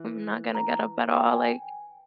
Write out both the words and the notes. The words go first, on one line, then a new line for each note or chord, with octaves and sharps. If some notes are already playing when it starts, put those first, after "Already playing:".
I'm not gonna get up at all, like,
Already playing: E3
A#5
G5
G#5